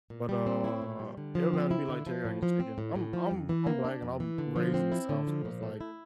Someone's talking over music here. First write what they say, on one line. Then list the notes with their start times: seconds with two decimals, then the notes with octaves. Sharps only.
but, uh, it would have to be like teriyaki chicken, I'm I'm I'm black and I'm raised in the South, so it's like,
0.10 A#2
0.29 G3
0.46 C4
0.64 E4
0.82 A#2
0.99 G3
1.17 D3
1.35 F3
1.53 C4
1.71 E4
1.89 D3
2.07 F3
2.25 A2
2.43 F3
2.60 C4
2.78 A2
2.96 A2
3.13 F3
3.31 F2
3.49 E3
3.67 A#3
3.84 D4
4.02 F2
4.20 E3
4.38 D3
4.56 F3
4.74 C4
4.92 E4
5.09 D3
5.27 F3
5.45 A#2
5.63 A3
5.81 E4